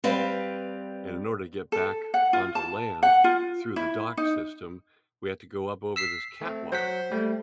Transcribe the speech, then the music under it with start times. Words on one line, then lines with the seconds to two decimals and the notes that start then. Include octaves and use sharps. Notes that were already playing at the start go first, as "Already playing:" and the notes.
and in order to get back onto land through the dock system, we had to go up over this catwalk,
0.04 G3 C4 B4 F5
1.72 A4
2.14 F#5
2.33 F4
2.55 A5
3.03 F#5
3.24 F4
3.76 E4
4.17 D#4
5.96 E6 B6 C7
6.41 A3 C4
6.72 F#3 C5 F#5 B6
7.12 G3 A3